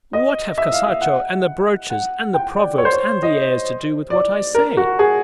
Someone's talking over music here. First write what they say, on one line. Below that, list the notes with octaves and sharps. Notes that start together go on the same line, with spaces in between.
What have Cascajo, and the broaches and the proverbs and the airs, to do with what I say?
D#5
E5
F5
E5
F#5
F#5
G5
D5
C#5
C5
C#5
D#5
D5
A#4
F#4
G#4